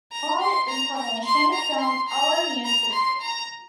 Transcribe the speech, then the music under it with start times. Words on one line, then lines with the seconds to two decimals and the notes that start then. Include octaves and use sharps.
All information from Allmusic.
0.12 A#5
0.41 C6
0.69 A#5
0.97 A#5
1.26 C6
1.54 A#5
1.81 C6
2.09 A#5
2.65 A#5
2.93 C6
3.21 A#5